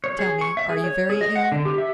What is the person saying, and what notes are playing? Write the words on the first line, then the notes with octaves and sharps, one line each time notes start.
"Tell me, are you very ill?"
C#5
G#4
C#6
E5
G#4
C#5
G#4
D#5
F#5
D3
G4
E5